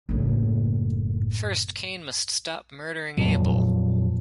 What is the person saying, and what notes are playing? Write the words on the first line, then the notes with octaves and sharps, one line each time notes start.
First, Cain must stop murdering Abel.
F#1 A2
F2 A#2 F3 F#3